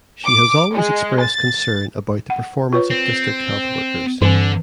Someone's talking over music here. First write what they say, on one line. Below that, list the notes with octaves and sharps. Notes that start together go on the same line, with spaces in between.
She has always expressed concern about the performance of district health workers.
D6
G#3
A6
F#5
F4 B4 C#5
C4
G2 D3 E3 C4